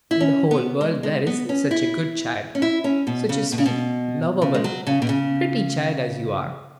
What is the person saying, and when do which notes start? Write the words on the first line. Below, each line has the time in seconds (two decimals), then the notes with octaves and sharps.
In the whole world there isn't such a good child, such a sweet, lovable, pretty child as you are.
0.11 E4
0.21 C#4
0.51 B3
0.81 G#3
1.03 G#3
1.27 B3
1.49 C#4
1.71 E4
2.55 C#4
2.62 E4
2.84 C#4
3.07 B2
3.29 C#3
3.52 B2
3.58 C#3
3.66 B2
4.42 C#3
4.54 G#3
4.64 F#3
4.87 C#3
5.02 B2
5.09 C#3